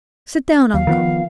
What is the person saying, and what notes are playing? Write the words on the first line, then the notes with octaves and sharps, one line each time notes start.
Sit down, uncle.
D#2 F5
D#3 F3 B3